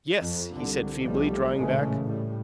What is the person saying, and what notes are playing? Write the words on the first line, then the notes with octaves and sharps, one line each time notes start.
"Yes," he said, feebly, drawing back.
F2
C2 D3
B1 F3 G3 A3
A1 A#2 C#3 E3 G#3 A3
A2 G3